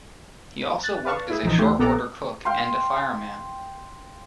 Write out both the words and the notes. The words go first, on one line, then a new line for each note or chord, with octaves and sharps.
He also worked as a short-order cook and a fireman.
F#6 A6
B4 D5 F5 A5 C#6
E4 G#4
A#1 E3 F3 D#4 B6
E2 A3 G4 C6
A#1 A#3 B3 A4 A#5 D6
F5 G5 C6